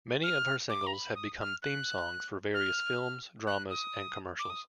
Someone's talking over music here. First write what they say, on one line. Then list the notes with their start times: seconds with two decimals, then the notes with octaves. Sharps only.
Many of her singles have become theme songs for various films, dramas, and commercials.
0.23 F6
0.69 D6
0.86 A#5
0.93 B5
1.15 D#6
1.39 F6
1.62 F#6
2.54 F6
3.47 F#6
3.70 D#6
4.39 D6
4.50 D#6